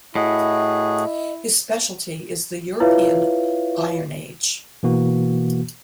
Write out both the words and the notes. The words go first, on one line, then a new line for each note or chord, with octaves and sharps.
His speciality is the European Iron Age.
A2 E4 F#4 G#4 D#5
E4 F4 B4 C#5 E5 F5
B2 E3 A#3 F#4